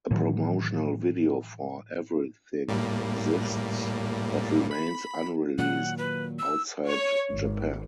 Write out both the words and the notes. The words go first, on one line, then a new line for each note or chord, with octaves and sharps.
A promotional video for 'Everything' exists, but remains unreleased outside Japan.
A2 D#3 E3 F#3
A2 G3 A#3
B5
A#2 D#3 F#3 F#5
B4
E6
C#5
G#1